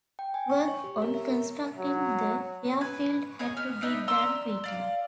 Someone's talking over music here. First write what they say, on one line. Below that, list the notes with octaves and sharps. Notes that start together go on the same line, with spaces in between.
Work on constructing the airfield had to be done quickly.
G5
G#5
C#6
C#5
G4
A#4
E5
A#4
F#3
B4 G#5
G#4 C#5 D#5
B3 F6
D4 D#4 B4 E5
D5 A#5 C6 E6
D5 F5